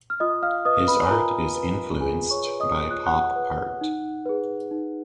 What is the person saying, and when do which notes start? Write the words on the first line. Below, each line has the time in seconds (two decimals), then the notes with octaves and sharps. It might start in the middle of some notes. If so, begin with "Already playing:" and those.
His art is influenced by Pop Art.
0.10 F6
0.20 F4 D#5 D#6
0.43 F5 F6
0.65 B4 D#5 D#6
0.88 B4 B5
1.05 G#5
1.10 F4 A#4 A#5
1.56 B4
2.01 F4 G#4 G#5
2.31 C#5 C#6
2.46 B4
2.60 D#5 D#6
2.91 F4 F#6
3.06 F#5 F#6
3.36 B4
3.81 D#4
4.26 G#4 B4
4.71 D#4